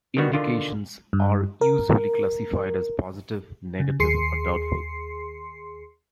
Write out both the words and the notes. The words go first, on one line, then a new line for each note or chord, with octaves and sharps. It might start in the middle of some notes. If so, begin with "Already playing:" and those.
Indications are usually classified as positive, negative, or doubtful.
D#3 G3 B3 F#4
D3 D#3 F4
G2
A#4
C#3
D#2 G#4 C6 C7 C#7